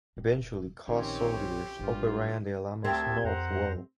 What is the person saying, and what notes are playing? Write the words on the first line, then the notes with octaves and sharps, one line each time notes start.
Eventually Cos' soldiers overran the Alamo's north wall.
D#1
A#1 D#3 C4 C#4 G4 C#5
G#1 G2 G3 F4
D2 C4 G4 A#4 E5 A5 G#6
F2 C5 F#5 A#5